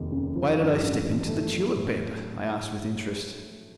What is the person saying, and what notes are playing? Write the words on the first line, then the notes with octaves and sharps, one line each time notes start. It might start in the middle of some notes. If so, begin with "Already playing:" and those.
"Why did I step into the tulip bed?" I asked with interest.
Already playing: F1 D#2
C#3
F3
G2
A1
E3
A3
F#3
A2